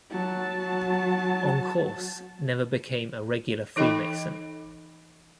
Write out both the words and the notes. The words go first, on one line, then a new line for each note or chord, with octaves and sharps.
Encausse never became a regular Freemason.
F#3 A5
E3 D#4 A4 D#5 G5 B5